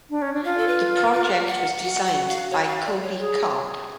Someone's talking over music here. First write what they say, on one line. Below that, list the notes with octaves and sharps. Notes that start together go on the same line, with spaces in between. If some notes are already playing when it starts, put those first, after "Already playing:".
The project was designed by Kobi Karp.
D4
C#4
D4
F4 F5
A4
B4
B4
F#5
F5
F#4 F#5
F#5
F5
C#5
F5
D5
C#5
G#4